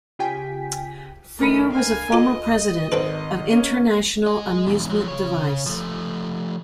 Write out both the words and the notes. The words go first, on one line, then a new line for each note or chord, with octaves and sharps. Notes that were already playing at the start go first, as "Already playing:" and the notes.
Feerer was a former president of International Amusement Device.
C#3 F4 G4 G5 G#5 B6
D#3 A3 D4 A#4 B5
F5 G#5
F4 A4 D#5
G#1 C4 A4 B4
A#3 C#4 D#7
G#4 D#5
E2 G#2
F3 F#3
C#3 C#5
F3 A3